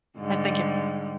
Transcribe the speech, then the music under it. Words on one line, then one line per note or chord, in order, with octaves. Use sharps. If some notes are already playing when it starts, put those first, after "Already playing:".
I think it
G#2 D3 G3